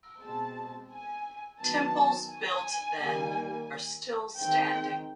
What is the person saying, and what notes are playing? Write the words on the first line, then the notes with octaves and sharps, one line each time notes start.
Temples built then are still standing.
B2 G#3 C4 A5
G#5
D#3 F#3 B3 A5
G#5
D#3 G3 A#3
D#3 G#3 C4 G5